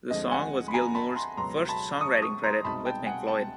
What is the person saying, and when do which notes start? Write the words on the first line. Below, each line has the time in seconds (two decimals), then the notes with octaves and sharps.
The song was Gilmour's first songwriting credit with Pink Floyd.
0.10 D2 D3 F3 G#3 C4 D#5
0.31 F#5 G#5
0.68 B5
0.74 G#5 A#5
0.95 A5 B5
1.16 A#5 C6
1.37 C#2 B2 F#3 B3 A#5 C6
1.69 A5 B5
2.01 C#6 D#6
2.22 C#6 D#6
2.43 A#5 C6
2.64 C2 B2 G#3 C4 D#4 A5 B5
2.85 G5 A5
3.07 F#5 G#5
3.28 G5 A5